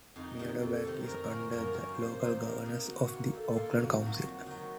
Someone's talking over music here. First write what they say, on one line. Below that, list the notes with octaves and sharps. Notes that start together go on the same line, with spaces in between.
Meadowbank is under the local governance of the Auckland Council.
F2 D#4
C3 D#3
F2 A4
C3 D#3
F#2 A#4
D#3 A#3 C#4
F#2 A#4
D#3 A#3 C#4
C3 C5
D#3 A#3 D#4
C3 A#4
D#3 A#3 D#4
D#3 F#4
A#3 F4
D#3 A4
A#3 F4
F2 F#4
D#3
F#3
F2 F#4
D#3 F#3